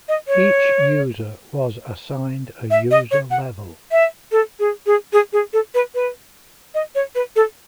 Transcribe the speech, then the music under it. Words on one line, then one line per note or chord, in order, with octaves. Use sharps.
Each user was assigned a user level.
D#5
C#5
E5
D#5
C#5
F#5
E5
A4
G#4
G#4
G#4
G#4
A4
B4
B4
D#5
C#5
B4
A4